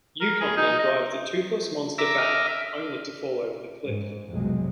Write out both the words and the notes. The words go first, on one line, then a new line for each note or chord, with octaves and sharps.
Yukon then drives the toothless monster back, only to fall over the cliff.
A#4
G#4
D#4
D#5
E5 A#5 D6 E6
D#5 E5 D6 F6
E5
G#2
B1 F2 C3 F#3 G#3